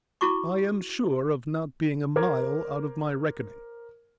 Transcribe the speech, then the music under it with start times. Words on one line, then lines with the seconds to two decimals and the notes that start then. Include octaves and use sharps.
"I am sure of not being a mile out of my reckoning."
0.21 E4 F#4 C#6 D6
2.16 A#4 C5 D6 G#6